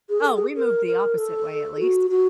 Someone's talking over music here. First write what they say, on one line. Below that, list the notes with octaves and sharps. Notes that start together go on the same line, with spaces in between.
Oh, we moved the opposite way at least.
G#4
A#4
A4
G#4
A#4
A#4
A4
F#4
F#4